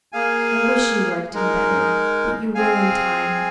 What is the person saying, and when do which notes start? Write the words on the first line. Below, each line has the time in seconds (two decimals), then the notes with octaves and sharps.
I wish you liked him better!--but you will in time.
0.12 A#3 G#4 F5 G#5
1.33 G#3 D#4 A#4
2.55 C4 G#4 F5 G#5